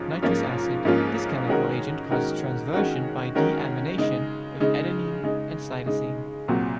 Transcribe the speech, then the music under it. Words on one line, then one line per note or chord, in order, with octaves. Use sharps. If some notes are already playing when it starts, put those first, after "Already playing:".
Nitrous Acid - This chemical agent causes transversion by de-amination of adenine and cytosine.
Already playing: G#2 F3 C#4 F4
G#2 F3 A#3 C#4 F4
G#2 F3 A#3 C#4 F4
D#3 G#3 C#4 F#4 A#4
D#3 G#3 C#4 F#4 A#4
D#3 G#3 C#4 F#4 A#4
D#3 G#3 C#4 F#4 A#4
C#3 G#3 D#4
C#3 G#3 D#4
C#3 G#3 D#4
C#3 G#3 D#4
C2 A#2 F#3 C4 F#4